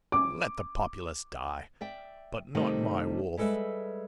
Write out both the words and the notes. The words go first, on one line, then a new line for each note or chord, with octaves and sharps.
Let the populace die, but not my wolf.
D6
D5 E5 G5
C3 D#3 G3 A3 D4
G3 G#3 A4 B4 E5